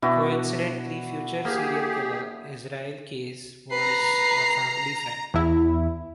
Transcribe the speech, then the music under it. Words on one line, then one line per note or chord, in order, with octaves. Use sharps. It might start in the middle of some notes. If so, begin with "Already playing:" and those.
Coincidently, future serial killer Israel Keyes was a family friend.
B2 D4 E4 F#4
A#3 G4 G#4
B4 A#5 C7
E2 E4